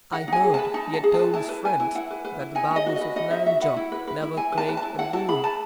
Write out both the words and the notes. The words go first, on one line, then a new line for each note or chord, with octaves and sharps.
I heard he had told his friends that the Babus of Nayanjore never craved a boon.
D#4 F#5
D#4 G#5
G#4
B4 A5
D#4 A5
D#4 A5
G#4
B4 A5
E4 A5
B4
B4 G#5
E4
E4 F#5
B4
B4
E4
D#4 G#5
D#4
D#5
F#4
B4 D#5
D#4 D#5
D#4 E5
F#4 E5
B4 F#5
E4
B4
B4
E4
E4 G#5
B4
A5
B4
A5
E4
E4 F#5
E4 A5
G#4 B5
B4 A5